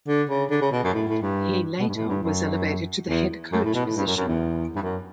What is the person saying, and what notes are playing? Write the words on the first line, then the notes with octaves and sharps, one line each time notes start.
He later was elevated to the head coach position.
D3
C#3
D3
C#3
B2
F#2
A2
A2
G2
B2
G2
A2
G2
F#2
E2
F#2
A2
B2
A2
G2
F#2
F#2
E2
G2
F#2